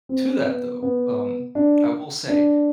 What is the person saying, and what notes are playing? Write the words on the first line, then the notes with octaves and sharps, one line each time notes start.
to that though, um, I will say,
C4
B3
B3
D4
D4